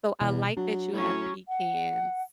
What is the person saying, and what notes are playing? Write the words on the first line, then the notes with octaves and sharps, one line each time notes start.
So, I like that you have pecans,
E2 B2
F#3 D4
A2 F#3 C#4
F#5